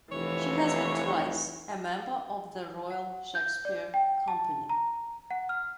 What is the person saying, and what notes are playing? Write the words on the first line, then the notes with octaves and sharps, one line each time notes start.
She has been twice a member of the Royal Shakespeare Company.
F1 E3 C#5
F#5
G6
D5
G5
A5
A#5
F#5
F6